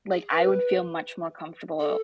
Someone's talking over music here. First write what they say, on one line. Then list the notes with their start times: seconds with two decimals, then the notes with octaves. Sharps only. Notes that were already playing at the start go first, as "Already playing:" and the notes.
like, I would feel much more comfortable
0.12 G#4
0.31 B4
1.80 A4